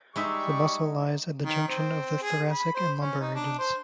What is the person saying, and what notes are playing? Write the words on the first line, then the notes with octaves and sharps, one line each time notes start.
The muscle lies at the junction of the thoracic and lumbar regions.
G3 G#3 D#4 E5 C#6
D#3
C4
G#4
B5
C5
C#4
D#4
D4
C5